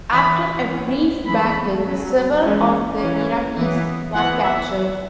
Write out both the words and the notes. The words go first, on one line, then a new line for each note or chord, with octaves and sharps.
After a brief battle, several of the Iraqis were captured.
E3 C#4 B5
E3 C#4
E3 G#3 B3 B5
F#3 C#4
E3 G#3 C#4
E3 C#4
E3 B3
E3 B3 F#5
E5